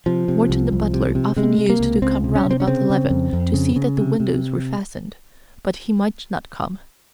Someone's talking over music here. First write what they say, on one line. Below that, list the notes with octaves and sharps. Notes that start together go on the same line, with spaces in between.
Morton the butler often used to come round about eleven to see that the windows were fastened, but he might not come.
C3 F3
C3
C2
C2
C3
C3
C3 G#3
C3
A#3
C#2
C#2 C4
C3
C#4
C3
C4
C#4
C#3 C4
C#3
F2
F2
C#3
C#3
C3
C3